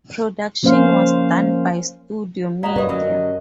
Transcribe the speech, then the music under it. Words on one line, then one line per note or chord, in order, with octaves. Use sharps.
Production was done by Studio Media.
F3 A#3 C#4 C5 F5
G2 F#4 D5 D#5 F5 A#5
F#2 G4 B4 D5 D#5
D3 F#3 C#4 D#5